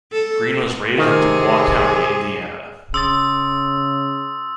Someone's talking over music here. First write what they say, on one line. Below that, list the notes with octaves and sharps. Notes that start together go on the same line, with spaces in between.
Greene was raised in Dubois County, Indiana.
A4
C3 D#3 G#4
C#3 C6 D#6 E6 A6